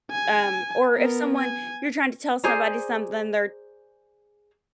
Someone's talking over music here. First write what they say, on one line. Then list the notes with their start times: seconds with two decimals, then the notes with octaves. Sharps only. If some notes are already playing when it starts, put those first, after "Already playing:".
um, or if someone you're trying to tell somebody something, they're
0.11 G#5
0.94 B3 A#4
1.37 G#5
2.44 G#4 C5 D5 A#5